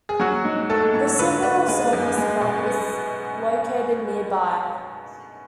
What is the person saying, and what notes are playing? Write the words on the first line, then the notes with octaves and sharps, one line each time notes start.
The Civil Service Club is located nearby.
G#4
F#3 F#4
G#2
A3 A4
G#2
D3 B4
D4 B4
G#3 B4
F#2
G#3
B2
B3